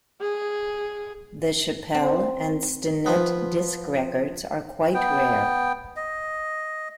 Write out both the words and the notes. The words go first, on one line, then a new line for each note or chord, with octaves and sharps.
The Chappelle and Stinnette disc records are quite rare.
G#4
C4
F3 B3
B3 G5
D#5